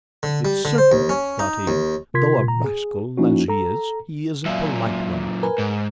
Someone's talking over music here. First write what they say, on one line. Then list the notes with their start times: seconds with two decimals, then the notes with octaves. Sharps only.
"It's certain," thought he, "though rascal as he is, he is a polite one!"
0.23 D3
0.45 G3
0.65 D3
0.78 C5
0.92 D#2
1.09 C#4
1.39 D#4
1.67 D#2
2.14 C3 F4 A#4 C6 G#6 B6
2.44 A#2 A#5
2.64 G#4
3.18 F3 A#3 C#4 D#4 E4 F#4
3.48 A4 A#5
4.46 F#2 A#2 E5 F5
5.43 A#4 B4 G#5
5.58 G#2